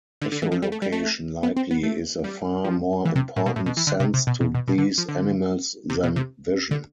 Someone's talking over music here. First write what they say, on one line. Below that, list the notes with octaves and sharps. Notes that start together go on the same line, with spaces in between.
Echolocation likely is a far more important sense to these animals than vision.
D3
D3
E3
F3
G3
A3
G3
A3
B3
C4
B3
A3
G3
F3
E3
C3
A2
B2
A2
B2
E3
D3
C3
C3
B2
B2
B2
B2
D3
F3
D3
C3
B2
C3
D3